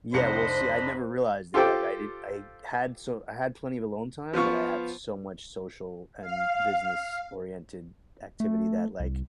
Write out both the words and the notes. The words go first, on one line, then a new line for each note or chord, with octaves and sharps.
Yeah, well, see, I never realized it like I did I had so I had plenty of alone time, but I had so much social and business oriented activity that, like,
F1 C2 D4 C5 D#5 B5 C#7
F4 G4 A4 C5 G5 D6
F3 B3 F4 C#6
F5
A3
C2